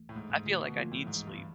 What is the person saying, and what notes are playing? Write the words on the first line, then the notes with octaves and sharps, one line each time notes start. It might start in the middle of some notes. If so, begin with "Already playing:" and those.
I feel like I need sleep.
Already playing: E3 A3
A2
G#2 A3
G#2
A#2 D3
B2
A#2 F3
A2
G#2 E3
G2
E3